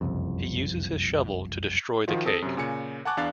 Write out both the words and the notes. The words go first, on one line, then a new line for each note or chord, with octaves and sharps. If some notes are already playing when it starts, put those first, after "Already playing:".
He uses his shovel to destroy the cake.
F#1 C2 F2
D#3 F3 F4 F#4
C4 A4 D#6
F#2 C3
A#2 C#3 G#5 C#7
F#5 G#5 A5 C#6 D6 F#6
E2 D4 F5 F#6 A6